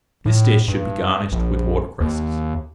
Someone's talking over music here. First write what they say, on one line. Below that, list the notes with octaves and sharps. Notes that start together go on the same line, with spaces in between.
This dish should be garnished with water-cresses.
A2
G2
A#1
D#2